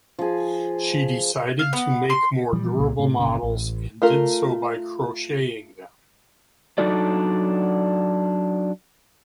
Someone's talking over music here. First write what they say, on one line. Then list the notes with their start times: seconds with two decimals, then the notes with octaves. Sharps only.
She decided to make more durable models, and did so by crocheting them.
0.19 F3 G#4
1.59 F5
1.73 B3
2.10 C6
2.53 A#2 E3 F3 G3
2.79 C2 A#2 A#3
2.99 A2 C3
3.19 G1 A#2 C#3
3.43 A1
4.02 A3 F4 A#4
6.78 F#3 D4 D#4 F#4 A4 D5